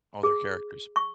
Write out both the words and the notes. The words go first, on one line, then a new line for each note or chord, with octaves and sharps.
Oh, they're characters.
G#4
C#6